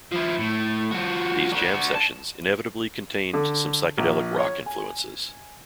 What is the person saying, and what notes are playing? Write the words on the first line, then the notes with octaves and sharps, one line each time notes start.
These jam sessions inevitably contained some psychedelic rock influences.
F3 E4
A2
F3 F#4
D4 F#4
A5
D3
A#1
C#5
G#5